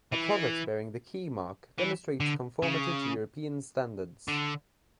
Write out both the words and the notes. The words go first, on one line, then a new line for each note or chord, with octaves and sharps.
A product bearing the Keymark demonstrates conformity to European Standards.
E3
E3
D3
C#3
D3